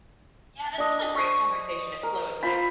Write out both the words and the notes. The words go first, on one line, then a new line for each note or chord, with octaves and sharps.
Yeah, this was a great conversation, it flowed nice
D4 D#5
C5 C#6
A#4
F4 C5 B5